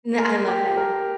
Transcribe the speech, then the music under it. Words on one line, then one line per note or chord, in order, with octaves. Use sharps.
Yeah, I love that.
A#4
G4
A#4